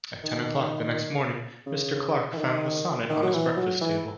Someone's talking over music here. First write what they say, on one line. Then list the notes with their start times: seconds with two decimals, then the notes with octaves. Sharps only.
At ten o'clock the next morning, Mr. Clarke found the sonnet on his breakfast-table.
0.23 D#3
1.66 C#3
2.33 E3
2.38 D#3
3.09 D#3
3.23 F#3
3.33 E3
3.57 F#3
3.81 E3